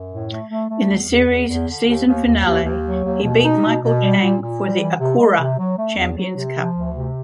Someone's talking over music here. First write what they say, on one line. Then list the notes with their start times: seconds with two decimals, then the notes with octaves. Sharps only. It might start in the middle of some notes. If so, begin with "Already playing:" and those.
In the series season finale, he beat Michael Chang for the Acura Champions Cup.
Already playing: F#2
0.11 A2
0.30 A3
0.50 A3
0.69 A3
0.90 E2
1.09 E2
1.28 E2
1.47 E2
1.68 D3
1.87 D#2
2.06 D#2
2.26 D#2
2.45 D#2
2.65 D#2
2.85 F#3
3.04 D#2
3.23 B2
3.43 D#4
3.63 B2
3.83 B2
4.02 G3
4.21 A#2
4.41 A#2
4.61 G3
4.80 E3
4.99 C3
5.18 G#3
5.39 C3
5.57 F#3
5.77 A3
5.97 E2
6.17 F#3
6.36 C3
6.56 F3
6.75 D2
6.95 C3